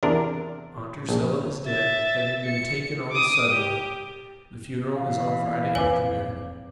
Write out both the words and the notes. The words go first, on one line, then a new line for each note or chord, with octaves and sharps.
Aunt Drusilla is dead, having been taken almost suddenly. The funeral is on Friday afternoon.
E2 C3 D4 A#4
A#1
E5 A6
C#7
D6 D#6
G4
A#2 E3 F5
F1 C4 B4 C#5 G#5 D6